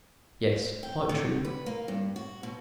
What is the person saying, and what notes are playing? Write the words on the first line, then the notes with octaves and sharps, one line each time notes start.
"Yes, quite true."
G5
D3
B4
A#3
G2
F#4
B2